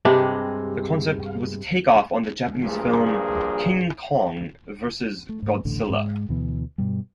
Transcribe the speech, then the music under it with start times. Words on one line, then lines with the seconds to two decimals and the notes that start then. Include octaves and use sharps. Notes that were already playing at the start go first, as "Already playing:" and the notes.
The concept was a take-off on the Japanese film, King Kong Versus Godzilla.
0.05 G2 C3 G#3 G4
2.63 A#1 G2 A#2 G#4
5.29 A3
5.42 G#2 A3
5.65 D#1 A1 A2 D3
5.89 G#2 G#3
6.29 D2 B2 E3 B3
6.78 G2 B2 G3